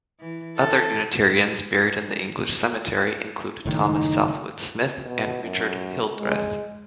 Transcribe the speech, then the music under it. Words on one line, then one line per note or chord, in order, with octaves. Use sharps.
Other Unitarians buried in the English Cemetery include Thomas Southwood Smith and Richard Hildreth.
E3
A4
F#1 A2 D#3 D#4
B2
F#2
G#3